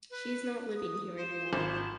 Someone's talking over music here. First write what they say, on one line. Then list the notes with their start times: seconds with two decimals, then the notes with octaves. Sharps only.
She’s not living here anymore.
0.10 B4
0.76 D#6
1.17 F4 C5
1.53 G#1